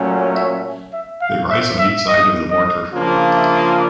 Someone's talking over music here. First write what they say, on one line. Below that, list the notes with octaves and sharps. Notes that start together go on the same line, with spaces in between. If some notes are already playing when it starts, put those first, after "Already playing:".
They rise on each side of the mortar.
Already playing: A#2 F#3 A3 C#4
E5
E5
F5
E5
E5
D#5
D#5
C#3 F3 A#3 D4 F4
E5